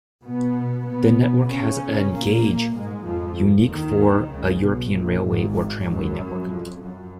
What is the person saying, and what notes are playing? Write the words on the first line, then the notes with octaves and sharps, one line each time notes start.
The network has an gauge, unique for a European railway or tramway network.
B2 B3
B2 B3
C#3 C#4
A#2 A#3
G#2 G#3
F2 F3
D#2 D#3
C#2 C#3
B1 B2
A#1 A#2
G#1 G#2
F#2
F2
F#2